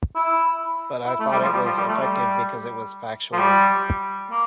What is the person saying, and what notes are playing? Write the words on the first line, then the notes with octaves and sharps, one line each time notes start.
But I thought it was effective because it was factual.
E4
E4
A3
G3
F3
G3
F3
G3
A3
G3
F3
G3
A#3